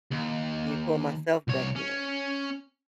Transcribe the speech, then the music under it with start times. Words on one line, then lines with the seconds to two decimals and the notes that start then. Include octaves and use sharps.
let me pull myself back in."
0.11 D#2
1.48 C2 C#5
1.76 C#4